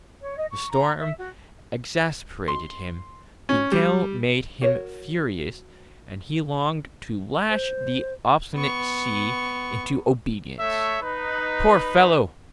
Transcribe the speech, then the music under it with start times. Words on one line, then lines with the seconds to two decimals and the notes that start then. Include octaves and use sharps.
The storm exasperated him, the gale made him furious, and he longed to lash the obstinate sea into obedience. Poor fellow!
0.21 C#5
0.37 D#5
0.50 C#6
0.71 A#5
0.99 E5
1.18 F#4
2.48 C6
3.49 C#4
3.72 G3
4.62 F#4 A#4 C#5
7.50 C5
8.55 B3 C#6
10.60 A3 A4 C#5 E5
11.03 D#4 B4